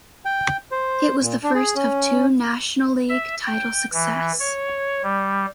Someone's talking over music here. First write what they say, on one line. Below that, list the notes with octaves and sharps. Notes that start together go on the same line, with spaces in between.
It was the first of two National League title success.
G5
C5
A#2
D4
G#4
C#4
E5
G5
E3
C#5
G3